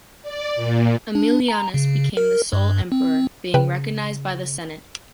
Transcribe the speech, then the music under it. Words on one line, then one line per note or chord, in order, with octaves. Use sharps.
Emilianus become the sole Emperor, being recognized by the Senate.
D5
A#2
D4
A#5
C#3
A#4
G2
C4
C#3 B4 G5